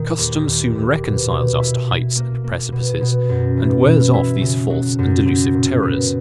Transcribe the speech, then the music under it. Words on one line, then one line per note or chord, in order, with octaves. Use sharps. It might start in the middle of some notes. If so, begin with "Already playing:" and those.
Custom soon reconciles us to heights and precipices, and wears off these false and delusive terrors.
Already playing: A#2 D#3
D#2
D#2
D#2
B2
B2
E4
E4
A#3
A#3
B2
B2
F#2
E3
B2
E4
C#3
F#3
F#2
F#2
A#2
B3